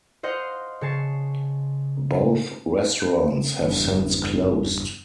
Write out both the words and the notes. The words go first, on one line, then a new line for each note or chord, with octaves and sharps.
Both restaurants have since closed.
C5 D#5 F5 F#5
C#3 C#5 A5 C7
F#1 E2 G2